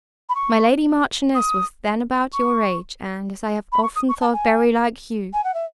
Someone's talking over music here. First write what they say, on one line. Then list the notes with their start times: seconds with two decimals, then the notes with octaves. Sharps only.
My lady Marchioness was then about your age, and, as I have often thought, very like you.
0.29 B5
0.35 C#6
1.35 D#6
2.33 C#6
3.72 B5
3.83 C#6
3.96 D#6
4.09 C#6
4.21 A5
4.33 G#5
5.33 G#5
5.44 F#5
5.54 E5